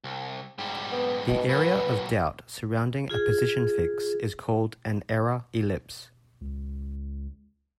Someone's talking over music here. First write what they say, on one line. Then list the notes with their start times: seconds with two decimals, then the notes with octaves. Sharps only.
The area of doubt surrounding a position fix is called an error ellipse.
0.04 C2
0.58 G#2 G3
0.91 B3
1.28 B2
1.49 A#2 F#3 B4
3.10 F4 G#4
6.41 C#2